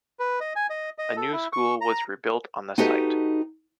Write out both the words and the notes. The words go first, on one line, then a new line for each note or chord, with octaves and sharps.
A new school was rebuilt on the site.
B4
D#5
G#5
D#5
D#5
A4
E4
C#6
A#5
D#4 F#4 G4 A4 B4 D#5